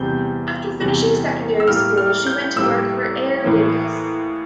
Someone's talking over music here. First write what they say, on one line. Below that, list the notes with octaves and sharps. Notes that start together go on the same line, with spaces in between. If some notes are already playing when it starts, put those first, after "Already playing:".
After finishing secondary school she went to work for Aer Lingus.
Already playing: E2 C3 G3 G6
E2 C3 G3
E6
A2 G3 A#3 F6
F6
G6
A2 G3 A#3 E6
A2 E3 A#3